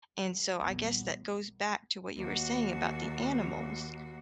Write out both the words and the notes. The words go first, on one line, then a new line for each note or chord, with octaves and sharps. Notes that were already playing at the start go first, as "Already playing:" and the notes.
and so I guess that goes back to what you were saying about the animals,
D3 F#3 G3
A#1 E2 G3 A#3 B3
D#2 F#4